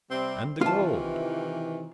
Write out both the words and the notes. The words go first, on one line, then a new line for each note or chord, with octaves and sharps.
"And the gold?"
C3 G3 C4
C3 D#3 E3 F4 A5